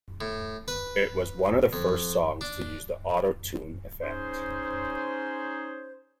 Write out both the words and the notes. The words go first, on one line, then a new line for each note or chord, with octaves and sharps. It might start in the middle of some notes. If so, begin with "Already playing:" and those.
It was one of the first songs to use the autotune effect.
A2
B4
F2
D4
C#4 D#4 G#4 C5